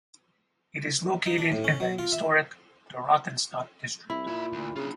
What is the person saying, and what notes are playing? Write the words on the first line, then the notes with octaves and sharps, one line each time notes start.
It is located in the historic Dorotheenstadt district.
D#4
D4
A2
C#4
F#3
F4
E5
C2 E4 B5
A#2 F4 E5
D2
C#3 D4 F4